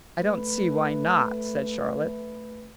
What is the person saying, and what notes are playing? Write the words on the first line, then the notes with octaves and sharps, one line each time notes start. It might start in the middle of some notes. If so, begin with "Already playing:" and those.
"I don't see why not," said Charlotte.
A3 B4